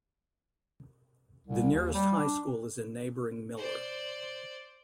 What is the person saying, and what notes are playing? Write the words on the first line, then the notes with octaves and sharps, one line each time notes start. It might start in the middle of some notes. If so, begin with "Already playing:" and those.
The nearest high school is in neighbouring Miller.
C2
D#2
G3
D4
C5 D5